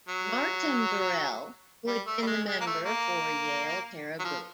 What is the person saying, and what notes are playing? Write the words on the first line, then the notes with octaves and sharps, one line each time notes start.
Martin Burrell, who had been the member for Yale-Cariboo.
F#3
G3
A3
G3
G#3
G#3
A#3
A3
A#3
F#3
F3